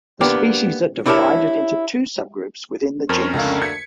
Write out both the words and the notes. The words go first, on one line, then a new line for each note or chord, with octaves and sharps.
The species are divided into two subgroups within the genus.
A#3 B3 D4 G4
D4 E4 G4 A#4 C#5 A5
F2 C#4 A#4 C5
C#2 D3 A3 A#3 F5
G#6 B6 C#7